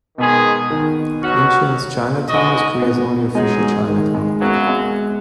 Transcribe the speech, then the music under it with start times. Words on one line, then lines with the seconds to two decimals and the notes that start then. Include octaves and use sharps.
Incheon's Chinatown is Korea's only official Chinatown.
0.18 B2 D#3 G#3 B3 G#4
0.70 D#3
1.23 B2 F#3 C#4 F#4
2.29 G#3 B3 D#4 F#4 D#5
2.82 B3
3.35 F#3 G#3 D#4 G#4
3.88 D#3
4.14 G#3
4.41 F#2 C#3 F#3 B3
4.67 G#3